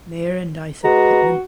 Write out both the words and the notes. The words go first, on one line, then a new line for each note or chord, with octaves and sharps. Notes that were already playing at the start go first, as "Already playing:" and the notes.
Mayor and Isaac Pitman.
G#3 F#4 B4 A#5